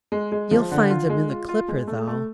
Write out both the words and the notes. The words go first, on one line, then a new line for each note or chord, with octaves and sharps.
You'll find them in the 'Clipper,' though.
G#3
G#3
F3
D3
F4
G#3
F4
F4
G#3
A3
A3